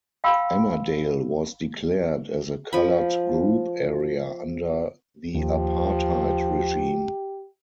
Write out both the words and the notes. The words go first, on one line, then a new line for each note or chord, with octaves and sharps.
Ennerdale was declared as a coloured group area under the Apartheid regime.
F5 G5 B5 C6 E6
F3 B5
D#2 F3 G4